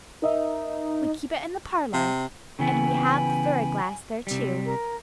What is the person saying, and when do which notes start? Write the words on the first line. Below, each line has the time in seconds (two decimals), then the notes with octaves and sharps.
We keep it in the parlor and we have the fairy glass there, too.
0.22 D#4 A#4 D#5 E5
1.93 C3
2.59 C#3 E3 B3 G5 G#5 B5
4.27 C3 G3
4.66 A#4